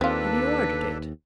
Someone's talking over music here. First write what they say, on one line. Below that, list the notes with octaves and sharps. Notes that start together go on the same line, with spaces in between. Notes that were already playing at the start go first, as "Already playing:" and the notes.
Have you ordered it?'
D#2 A#3 C4 D4 F4 A4 B4